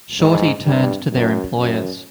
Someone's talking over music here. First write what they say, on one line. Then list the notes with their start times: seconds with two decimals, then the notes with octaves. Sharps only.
Shorty turned to their employers.
0.20 G#2
0.65 G2
1.12 F#2
1.58 F#2